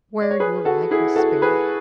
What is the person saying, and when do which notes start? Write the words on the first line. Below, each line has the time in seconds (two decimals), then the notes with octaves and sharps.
Where your life was spared!
0.22 D5
0.31 C#5
0.40 G#4 B4
0.65 F#4 A4
0.91 E4 G#4
1.16 F#4 A4
1.42 G#4 B4